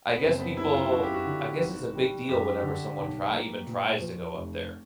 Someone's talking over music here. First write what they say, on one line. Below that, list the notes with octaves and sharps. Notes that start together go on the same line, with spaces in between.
I guess people I guess it's a big deal whenever someone trie even tries to go up there.
B3
F#1 C4
B3
F#1 E4
F4
F#2 F#4
G4
F#4
D3
G#1
G3
F#2 G4
D3
B1
A#3
A#2
F3
F1